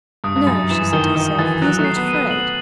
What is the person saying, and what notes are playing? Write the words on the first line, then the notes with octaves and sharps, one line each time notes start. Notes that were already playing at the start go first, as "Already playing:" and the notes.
"No," she said to herself, "he is not afraid."
G2 D#6
G2
F#2 A6
E3 E7
D#3 G7
D#3 D#6
E3 A6
F#3 F#6
A3
C7
B3
D#7
B3
F#7